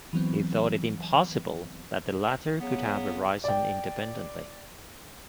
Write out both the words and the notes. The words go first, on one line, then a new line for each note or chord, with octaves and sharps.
He thought it impossible that the latter could have arisen independently.
E3 F#3 B3 C4
C#3 F#3 B3
D5 G5